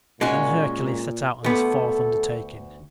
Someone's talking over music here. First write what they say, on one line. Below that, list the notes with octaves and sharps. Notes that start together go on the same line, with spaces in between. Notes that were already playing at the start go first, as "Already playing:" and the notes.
Then Hercules set out on his fourth undertaking.
A#2 G#3 C#4 F#4
D2 B3 A4